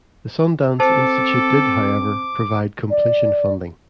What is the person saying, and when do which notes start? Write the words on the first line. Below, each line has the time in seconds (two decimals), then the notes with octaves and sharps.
The Sundance Institute did, however, provide completion funding.
0.80 C4 A4 C5 A5 D6
2.90 D5